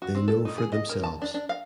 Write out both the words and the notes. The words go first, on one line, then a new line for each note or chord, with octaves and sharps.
They know for themselves.
F#4
C4
A4
D#4
G#4
D#5
A#4
A5
D4
D4
F5